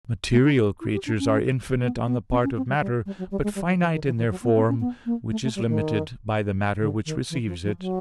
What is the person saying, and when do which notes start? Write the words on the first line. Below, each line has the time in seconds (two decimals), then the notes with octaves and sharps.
Material creatures are infinite on the part of matter, but finite in their form, which is limited by the matter which receives it.
0.31 A3
0.44 D#4
0.81 E4
0.94 G4
1.06 D4
1.19 C#4
1.81 B3
2.06 B3
2.31 C4
2.43 C#4
2.57 C4
2.69 G3
2.81 G3
3.06 G3
3.18 F#3
3.31 G3
3.44 G#3
3.55 G3
3.68 F3
3.81 E3
3.94 D#3
4.06 E3
4.18 E3
4.30 F#3
4.43 B3
4.56 C4
4.68 C#4
4.80 B3
5.06 A#3
5.31 A3
5.43 A3
5.55 G3
5.68 D#3
6.80 D3
7.06 D#3
7.30 E3
7.47 F3
7.64 F3
7.79 F#3